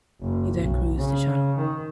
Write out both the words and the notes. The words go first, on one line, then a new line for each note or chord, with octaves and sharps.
He then cruised the Channel.
F#1
B1
C#3
D#3